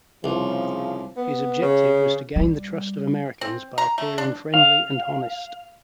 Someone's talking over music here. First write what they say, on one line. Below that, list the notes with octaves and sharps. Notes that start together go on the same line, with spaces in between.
His objective was to gain the trust of Americans by appearing friendly and honest.
C2 C#3 F3
B3
C#3
G3
C4
A#5
A3
D4
F5